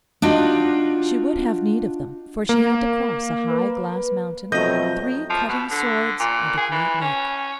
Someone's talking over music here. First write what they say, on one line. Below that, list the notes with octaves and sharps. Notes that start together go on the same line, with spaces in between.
She would have need of them, for she had to cross a high glass mountain, three cutting swords, and a great lake.
D4 D#4 F4 F#4
A#3
B4
F2 B2 F#3 A3 D#5 G6 A#6
F3
B2
D3
A#2
G#4
E3
C#4